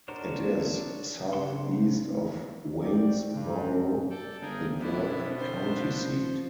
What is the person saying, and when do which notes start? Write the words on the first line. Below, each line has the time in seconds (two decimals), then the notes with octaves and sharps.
It is southeast of Waynesboro, the Burke County seat.
0.08 D4 F#4 A#4 C5 C#5
1.33 C#3 C4 D4 F#5 C6
2.83 C4 F#4 D5 G5
3.32 G2
4.10 A4 D5 G5
4.41 G1 C4 G#4 A#4 G5
4.80 D2 B2 D4 E4
5.39 D3 C5
5.79 F3